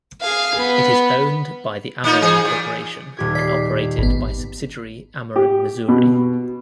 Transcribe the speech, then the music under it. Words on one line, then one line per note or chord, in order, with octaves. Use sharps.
It is owned by the Ameren Corporation and operated by subsidiary Ameren Missouri.
G#4 F5
B3
A#3 D#4 F4
E3 G#4
A#2
D#1 G4 G#6
D5 B6 C7
G#1 B3
G4
B2